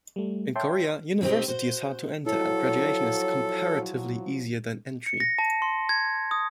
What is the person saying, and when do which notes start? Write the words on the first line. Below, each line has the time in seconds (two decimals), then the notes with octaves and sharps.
In Korea, university is hard to enter, and graduation is comparatively easier than entry.
0.16 G3 A3
0.56 C#5 E5 G5 A5 C6
1.21 B2 B3 C4 D#4 G4
1.48 F#4 C5
2.26 F3 F#3 E4 A4 C#5
5.06 C#7
5.20 A#6
5.39 A5
5.62 C6
5.89 G#6
6.31 D#6